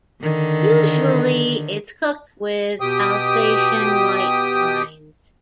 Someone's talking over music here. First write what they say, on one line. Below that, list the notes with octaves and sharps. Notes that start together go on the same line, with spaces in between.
Usually it is cooked with Alsatian white wines.
D3 D#3
B2 G4 G5 D#6